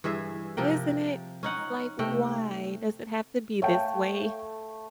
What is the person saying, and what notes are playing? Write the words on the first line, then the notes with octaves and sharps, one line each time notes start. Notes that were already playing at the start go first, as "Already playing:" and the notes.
Isn't it? It's like, "Why does it have to be this way?"
G2 E3 G#4 E5
C3 F3 A#4 G5
C#4 D#4 F#5
C3 A3 G5
A3 C#5 F5 G5